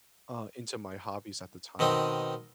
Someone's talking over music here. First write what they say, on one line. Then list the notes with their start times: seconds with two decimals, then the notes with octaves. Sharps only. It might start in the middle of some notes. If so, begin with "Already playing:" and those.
uh, into my hobbies at the time.
1.79 B2 D#3 C4 D#4